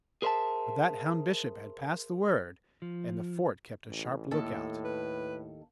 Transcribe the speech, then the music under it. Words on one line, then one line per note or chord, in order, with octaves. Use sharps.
But that hound Bishop had passed the word, and the fort kept a sharp lookout.
G#4 A#4 C5 D#5 E5 A5
F3
A1
D#2 A2 A4 A5
B4